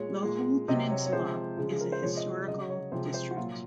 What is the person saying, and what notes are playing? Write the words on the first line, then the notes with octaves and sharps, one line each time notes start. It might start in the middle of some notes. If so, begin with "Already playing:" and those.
The whole peninsula is a historical district.
Already playing: A#2 G#3 C#5
A#2 G#3
C3 F#3 D#5
C#5
C#5
C3 F3 G#3 C5
C#3 F3 G#3
G#4
A#4
C5
C3 F3 G#3 C#5
D#5
C#3 F#3 D#5
C#5
C3 F3 G#3 C5
C5
F#4
A#2 F#3 F4